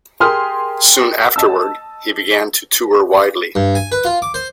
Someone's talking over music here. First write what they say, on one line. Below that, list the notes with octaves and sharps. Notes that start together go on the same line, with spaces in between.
Soon afterward, he began to tour widely.
G4 G#4 A#4 C6 D#6 F6
D#5 A5 E6
G2
G#5
B4
F4
D6
C5